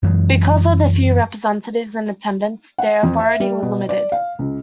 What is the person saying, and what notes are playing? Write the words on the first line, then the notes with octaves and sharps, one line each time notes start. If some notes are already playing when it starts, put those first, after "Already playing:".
Because of the few representatives in attendance, their authority was limited.
F#2 E3 G#3
F#5
F2
E5
G3
B2
D5
F5
C#2